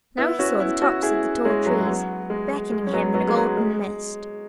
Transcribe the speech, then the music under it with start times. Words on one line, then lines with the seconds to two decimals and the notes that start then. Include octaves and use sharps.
Now he saw the tops of the tall trees beckoning him in a golden mist.
0.18 B3 E4
0.39 C#4 F#4
0.60 B3 E4
0.82 C#4 F#4
1.03 E4 G#4
1.45 G#3 C#4
1.66 F#3 B3
1.79 G#3
1.87 F#3 B3
2.30 G#3
2.72 G#3
2.87 C#4
2.93 F#3 B3
3.14 F#3 B3
3.28 G#3
3.36 F#3
3.57 G#3